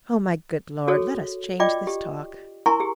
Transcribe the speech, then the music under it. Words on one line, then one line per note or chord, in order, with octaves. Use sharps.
Oh, my good Lord! let us change this talk....'
F#4 G#4 A4 C#5
F4 D5 D#5 G5 D6
G4
E4 A#4 G#5 A#5 C6 C#6
G4 G#4